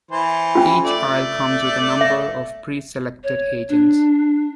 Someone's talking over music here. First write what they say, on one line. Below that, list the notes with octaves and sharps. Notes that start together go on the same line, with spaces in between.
Each isle comes with a number of pre-selected agents.
E3 C5
C#4 F4
A3 D5
E5
C#5
D4